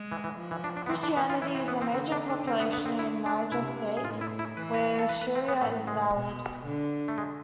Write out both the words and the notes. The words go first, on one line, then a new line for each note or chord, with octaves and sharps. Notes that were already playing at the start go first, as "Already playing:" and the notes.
Christianity is a major population in Niger State, where Sharia is valid.
Already playing: G#3
E3
E3
F3
E3
D4
D4
B3
E3 C4
D4
B3
F4
E3 E4
C4
B3
C4
D3 C4
D4
D4
C4
B3
B3
C4
E4
D4
C3 E4
G#4
A2 F4
E4
E4
E3 B4
B4
A4
B4
B4
C4
B3
A2 A3
G#3
B2
D3
A3
G#3